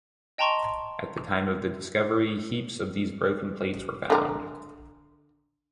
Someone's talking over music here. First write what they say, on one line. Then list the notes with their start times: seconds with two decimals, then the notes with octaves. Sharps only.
At the time of the discovery, heaps of these broken plates were found.
0.38 D#5 G5 A5 A#5 C6 C#6
4.10 D3 A#4